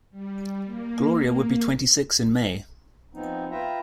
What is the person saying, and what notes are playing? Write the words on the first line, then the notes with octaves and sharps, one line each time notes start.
Gloria would be twenty-six in May.
G3
A#3
F3 B3 C4 D#4
F4 B4 E5 G5 A#5